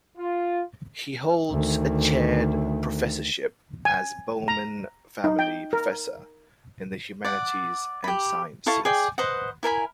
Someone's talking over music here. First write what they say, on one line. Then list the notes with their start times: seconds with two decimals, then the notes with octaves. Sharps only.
He holds a chaired professorship as Bowman Family Professor in the Humanities and Sciences.
0.18 F4
1.50 D2 D#3
3.85 G#5
4.48 A#5
5.24 D#4
5.39 G5
5.73 A#4
7.24 D5 F#5
8.04 G4 B5
8.66 E4 A4 F5 C#6
8.85 G#4 D5 G5
9.18 B4 C5 D#5 F#5
9.63 E4 A#4 G#5 B5